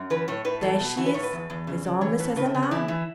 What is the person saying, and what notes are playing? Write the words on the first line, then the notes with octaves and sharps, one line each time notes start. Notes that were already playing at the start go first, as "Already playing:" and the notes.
There she is as harmless as a lamb.
Already playing: F#2
E3 B4
A2 C#5
A2 B4
E2 A4
B2
E3 F#4
B4
A2 C#5
B4
E2
E2
C#3
C#3
E3 C#5
A2 B4
C#3 B4
A3
C#3
B3
E3 E4
E3